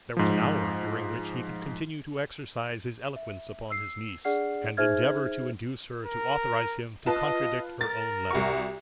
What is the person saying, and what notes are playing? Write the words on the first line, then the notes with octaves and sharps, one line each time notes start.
There was an hour during which he could continue to exercise his eloquence upon his niece, and endeavour to induce her to authorise him to contradict her own letter.
G#2 F3
E5
E6 C7
D4 G#4 D5 F#5 F6 C7
D#4 G#4 C5 E5 F6 G#6
A#4
F4 B4 D#5 A5
A#4 A6
C2 F#4 C#6